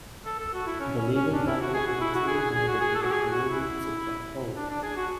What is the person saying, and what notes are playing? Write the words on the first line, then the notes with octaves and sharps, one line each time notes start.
The legal battle eventually made it to the Peruvian Supreme Court.
A4
A4
F#4
E4
C#4
C#4
C#4
D4
E4
F#4
G#4
F#4
E4
F#4
G#4
G#4
G#4
F#4
G#4
A4
F#4
G#4
F#4
E4
D4
D4
G#4
F#4